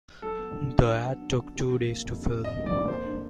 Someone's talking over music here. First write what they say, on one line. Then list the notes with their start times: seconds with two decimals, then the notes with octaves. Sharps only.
The ad took two days to film.
0.22 F#3 A4
0.39 B3
0.56 D4
0.73 D3
0.89 F#3
1.06 B3
1.22 D4
1.38 D3
1.55 C3
1.72 F3
1.88 A#3
2.05 F2
2.22 C3
2.39 F3
2.44 D#5
2.56 A#3
2.66 D5
2.71 F2
2.88 A#3 C5
3.05 D4